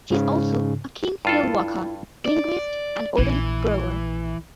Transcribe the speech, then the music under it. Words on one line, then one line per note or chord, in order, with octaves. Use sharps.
She is also a keen hill-walker, linguist and organic grower.
G#2 C#3
G2 E4 F4 A4
D5
A#1 E3 E4